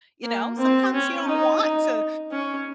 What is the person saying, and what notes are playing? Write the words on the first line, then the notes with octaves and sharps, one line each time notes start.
you know, sometimes you don't want to
A#3
C4
C#4
D#4
D#4
C#4